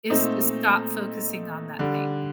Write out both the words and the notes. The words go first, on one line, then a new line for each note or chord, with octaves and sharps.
is to stop focusing on that thing.
A#2 A3 C4 D#4
D3 G3 D4